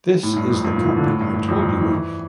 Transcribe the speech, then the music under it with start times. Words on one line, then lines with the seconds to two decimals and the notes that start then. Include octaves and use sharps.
This is the cup I told you of.
0.23 A2
0.33 A2
0.37 G2
0.50 F2
0.65 G2
0.75 A#2
0.85 E3
0.97 D3
1.06 A2
1.21 G2
1.34 G2
1.48 F2
1.59 G2
1.79 E3
1.90 E3